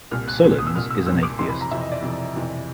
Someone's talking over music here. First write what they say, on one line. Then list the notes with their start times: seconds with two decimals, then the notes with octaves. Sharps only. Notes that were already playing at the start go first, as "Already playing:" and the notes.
Solondz is an atheist.
0.11 C2 A#2 F6
0.28 F#6
0.44 C2 A#2
0.58 D#6
0.67 E6
0.75 C2 A#2 F6
0.90 E6
1.07 A#2 E6
1.12 C2
1.23 D6
1.39 F2 C3 E3 C6
1.49 B5
1.61 A#5
1.70 F2 C3 E3 E5
1.81 D#5
1.92 D5
2.02 F2 C3 E3
2.35 F2 C3 E3